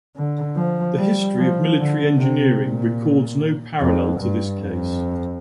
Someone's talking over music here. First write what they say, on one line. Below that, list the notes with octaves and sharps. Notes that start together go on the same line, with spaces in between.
The history of military engineering records no parallel to this case.
D3
F3
G3
F3
D3
C3
A#2
F2
G2
F2